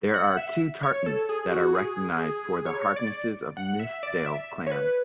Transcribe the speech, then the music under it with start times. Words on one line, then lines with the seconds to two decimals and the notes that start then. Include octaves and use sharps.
There are two tartans that are recognized for the Harknesses of Nithsdale clan.
0.14 F#5
0.37 E5
0.83 C#5
1.06 A4
1.29 G#4
1.52 F#4
1.75 G#4
2.66 C#5
2.96 D5
3.57 F#5
3.79 E5
4.03 D5
4.26 E5
4.67 C#5
4.72 B4